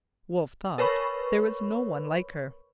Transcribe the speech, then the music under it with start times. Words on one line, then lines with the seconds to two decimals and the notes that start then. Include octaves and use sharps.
Wolfe thought there was no one like her.
0.78 A#4 B4 C#5 B5 C#6